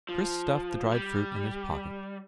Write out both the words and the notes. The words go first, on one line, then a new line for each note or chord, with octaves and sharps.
Chris stuffed the dried fruit in his pocket.
F3
G3